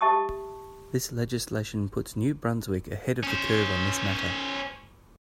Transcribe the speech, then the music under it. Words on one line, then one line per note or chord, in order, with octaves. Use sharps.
This legislation puts New Brunswick ahead of the curve on this matter.
G4 E5 A5 C#6 D#6
C#4 C5